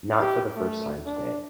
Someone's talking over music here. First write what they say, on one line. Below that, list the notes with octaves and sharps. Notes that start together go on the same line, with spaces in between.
Not for the first time today.
G4
A3
D4